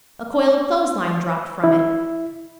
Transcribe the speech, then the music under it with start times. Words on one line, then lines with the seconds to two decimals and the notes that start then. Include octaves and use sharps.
A coil of clothes line dropped from it.
1.64 E4